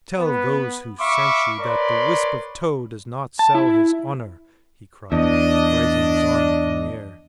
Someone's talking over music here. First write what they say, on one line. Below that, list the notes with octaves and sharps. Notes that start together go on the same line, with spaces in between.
"Tell those who sent you that the wisp of tow does not sell his honor," he cried, raising his arm in the air.
B3 B4
E5 F5 B5 C#6 D6
A#4 B4 C#5 D5 B5 C6
A5
E4
E2 D4 D#5